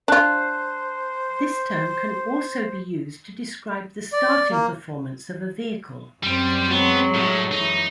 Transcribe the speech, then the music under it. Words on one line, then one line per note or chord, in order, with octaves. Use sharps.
This term can also be used to describe the starting performance of a vehicle.
D4 F4 C5 A5 F#6
D5
A#3
F#2 G3 C4
F#3 G#3 B3
A2 G3 F#4 A4
F#2 E3 D#4